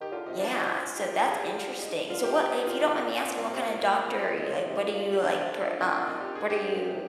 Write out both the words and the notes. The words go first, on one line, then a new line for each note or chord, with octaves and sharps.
Yeah, so that's interesting, so what if you don't mind me asking, what kinda doctor are you? Like, what do you, like, per um, what are you
D#3 G4
D3 F4
C3 D#4
D4
D#4
F4
G#2 G4
A#2
D3 G#4
C3
D3 G4
F4
D#4
D3 F4
D3
C3 G4
C3 G4
A#2 F4
G#2 D#4
A#2
A#2
A#2 C4
A#2 A#3
A#2
C3
A#2
A#2 A#3
A#2
C4
D#4
C3
A#2
A#2
C3 D4
C3
D3
F3
A#2 C4
D4
D#4
G4
G#4
G4
G#2
A#2
C3